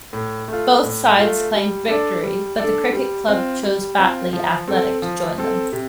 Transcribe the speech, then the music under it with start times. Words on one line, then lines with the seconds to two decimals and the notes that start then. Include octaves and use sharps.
Both sides claimed victory but the cricket club chose Batley Athletic to join them.
0.13 A2
0.48 A3 F4
0.83 A2
1.18 A3 F4
1.54 G3
1.88 D4 A4 D5
2.23 G3
2.58 D4 A4 D5
2.93 G3
3.28 C4 F4
3.63 G3
3.98 C4 F4
4.33 F3
4.68 C4 A4
5.02 F3
5.38 C4 A4
5.73 C3